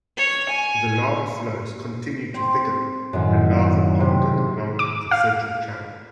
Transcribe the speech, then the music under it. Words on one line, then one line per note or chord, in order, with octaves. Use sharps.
The lava flows continued to thicken, and lava ponded along the central channel.
C#5
G#5
C4
F#2 A2 D#3
C3
D6
F5